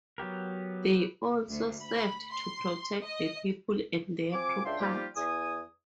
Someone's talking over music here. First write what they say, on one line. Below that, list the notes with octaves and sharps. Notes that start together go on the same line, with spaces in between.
They also served to protect the people and their property.
F#3 B3 G4 A#4
D2
B5
C6
D#5
F3 C4 G#5 D6
C#2 D4 E5 F5 G5 C6
F3 G3 A#3 D#4 F4 G4
E2 G#5 D#6